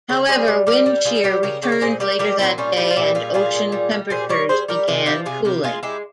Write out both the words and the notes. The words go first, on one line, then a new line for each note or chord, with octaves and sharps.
However, wind shear returned later that day and ocean temperatures began cooling.
C#3
G3 G#4 C5
G3
G3 G4 A#4
G3
G3 F4 G#4
G3 G4 A#4
C#3 G4 A#4
C#3 E4 G4
A#4
A#2 G#4 C5
G3 G4 A#4
G3 G4 A#4
A#2 C4 E4
G3 C#4 F4
G3 E4 G4
F4
A#2 E4 G4
G3 F4 G#4
A#2 F4 G#4
A#2
G3
G3
A#2 G#4 C5
G3 A#4 C#5
G3 G#4 C5
G3 G4 A#4
C3 F4 G#4
F3 E4 G4
C3 F4 G#4
C3 G4 A#4
G#3 F4 G#4
G#3 E4 G4